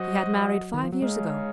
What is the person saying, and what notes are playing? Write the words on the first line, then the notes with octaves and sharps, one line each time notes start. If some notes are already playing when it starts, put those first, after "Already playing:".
He had married five years ago.
Already playing: F#3 F#4 C5 D#5 F#5
D#3
F3
F#3
G#3 D#4 G#4 C#5 F5